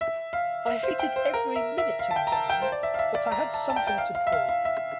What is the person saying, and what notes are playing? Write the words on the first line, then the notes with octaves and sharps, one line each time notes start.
I hated every minute of running, but I had something to prove.
E5
F5
E5
C5
G5
C5
A#4
E5
E5
F5
A5
G5
A#5
A5
G5
C5
D5
E5
F5
E5
D5
A#5
A5
A5
G5
G5
F5
F5
E5
F5
F5
E5